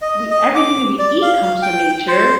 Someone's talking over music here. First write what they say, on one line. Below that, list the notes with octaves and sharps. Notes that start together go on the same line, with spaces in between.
we everything that we eat comes from nature.
D#5
D#5
D6
D5
F5
G5
C5